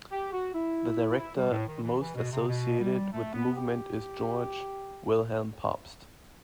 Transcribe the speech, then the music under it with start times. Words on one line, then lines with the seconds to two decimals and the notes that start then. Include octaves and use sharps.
The director most associated with the movement is Georg Wilhelm Pabst.
0.11 G4
0.32 F#4
0.53 E4
1.18 E4
1.34 G3
1.50 A2
1.67 D#3
1.82 E3
1.99 E3
2.15 B2
2.31 C3
2.47 B2
2.80 G3
3.12 A3
3.33 B3
3.56 G4